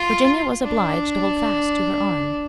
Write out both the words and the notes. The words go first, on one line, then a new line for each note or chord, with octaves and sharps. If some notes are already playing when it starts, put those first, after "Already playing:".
Virginia was obliged to hold fast to her arm.
Already playing: F4
D4